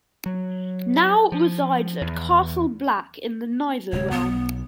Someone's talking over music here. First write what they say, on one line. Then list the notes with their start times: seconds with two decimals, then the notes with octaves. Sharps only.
Now resides at Castle Black in the Neither Realm.
0.26 F#3
1.32 F3
2.01 E2
3.92 D1 C3 G#3 C#5
4.11 B1 B3